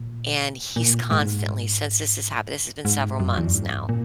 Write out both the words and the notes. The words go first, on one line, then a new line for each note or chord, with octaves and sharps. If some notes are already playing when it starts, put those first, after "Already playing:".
and he's constantly since this has happened this has been several months now,
Already playing: A#2
A#2
G#2
G#2
F#2
E2
F#2
G#2
A#2